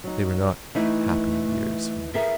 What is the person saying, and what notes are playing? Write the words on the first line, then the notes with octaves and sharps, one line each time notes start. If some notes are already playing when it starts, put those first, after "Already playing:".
They were not happy years for me.
F#3 D#4
E3 A3 D#4 E4
B3 G#4 A#4 E5